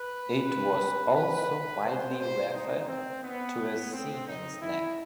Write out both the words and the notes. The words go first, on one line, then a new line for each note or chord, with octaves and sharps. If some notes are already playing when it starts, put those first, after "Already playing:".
It was also widely referred to as Seaman's Neck.
Already playing: B4
B4
C5
C5
D#4
C4
B3
C4
D#4
E4